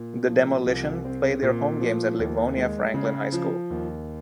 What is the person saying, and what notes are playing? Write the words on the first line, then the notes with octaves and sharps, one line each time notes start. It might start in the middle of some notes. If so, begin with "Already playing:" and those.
The Demolition play their home games at Livonia Franklin High School.
Already playing: A#2
F3
C2
C4
A#2
F3
D#2
G#3
C#3
F3
D#2